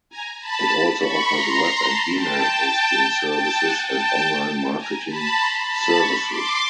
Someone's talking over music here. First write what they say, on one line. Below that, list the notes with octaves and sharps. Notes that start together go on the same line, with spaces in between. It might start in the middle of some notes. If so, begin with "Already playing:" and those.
It also offers web and email hosting services and online marketing services.
G#5 A#5
A5 B5
B5 C#6
A#5 C6
A5 B5
G5 A5
G5 A5
G5 A5
F#5 G#5
G5 A5
G#5 A#5
A5 B5
A#5 C6
A5 B5
B5 C#6
C6 D6